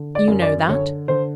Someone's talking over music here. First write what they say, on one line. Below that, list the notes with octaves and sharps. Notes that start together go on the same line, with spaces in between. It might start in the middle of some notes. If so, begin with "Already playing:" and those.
You know that.'
Already playing: D3
D5
F#2
D5
D3 C#5
D3 C5